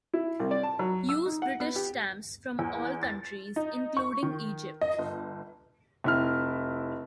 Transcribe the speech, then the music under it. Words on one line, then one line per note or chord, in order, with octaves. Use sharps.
Use British stamps from all countries, including Egypt.
E4
C2
D5
A5
F#3
E6
D#4
F#5
B3
G4
E2
A6
D#4
C#6
D#3
D#5
G1
F1 E4 F6